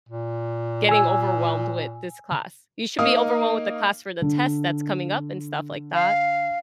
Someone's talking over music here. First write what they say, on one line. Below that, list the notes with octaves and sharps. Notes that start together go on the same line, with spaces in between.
getting overwhelmed with this class. You should be overwhelmed with the class for the test that's coming up, and stuff like that.
A#2
G#5 E6
A#3 D#4 F5 D#6
D3
F5